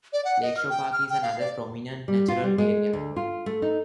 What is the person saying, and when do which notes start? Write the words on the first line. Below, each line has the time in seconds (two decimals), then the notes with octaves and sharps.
Lakeshore Park is another prominent natural area.
0.13 D5
0.25 F#5
0.42 D#5
0.57 F6
0.70 G5
0.93 F6
1.10 G5
1.22 F5
1.40 D5
2.08 G3
2.28 F4
2.44 G3
2.58 G#3
2.93 D2
3.16 F4
3.46 A3
3.62 D#4